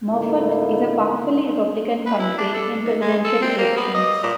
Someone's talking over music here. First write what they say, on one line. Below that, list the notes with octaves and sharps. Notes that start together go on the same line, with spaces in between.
Moffat is a powerfully Republican county in Presidential elections.
C#2 A2 D3 A#3 D#4 E4
B4
E4
D4
A4
D#3
G#3
A4
C4
A#3
B3
D#5
A#2